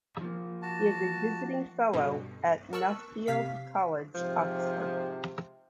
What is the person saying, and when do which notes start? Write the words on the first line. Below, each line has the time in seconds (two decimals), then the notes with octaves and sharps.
He is a visiting fellow at Nuffield College, Oxford.
0.21 F3 A#3
0.62 F#4 A5
1.93 G2 B2 D3
2.73 A#4 A5 C#6 E6 F#6
3.27 C3 F5 B6
4.15 G#2 C3 F3